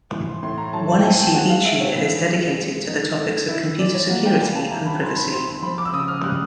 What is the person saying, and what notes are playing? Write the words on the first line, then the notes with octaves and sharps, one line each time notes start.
One issue each year is dedicated to the topics of computer security and privacy.
E3
C6
A2 C6
A#5
F#3 A5
A5
G5
C4 G#5
G5
G#3 F#5
F5
D#4 E5
C#5
E3
C4
G#3
D#4
A3
E4
E3 D5
C#5
A#3 F#5
G5
G3 G#5
A5
E4 A#5
B5
D#3 C6
B5
C4 C6
C6
F3 B5
D6
E6
C#3 D#6
F6
G3 F#6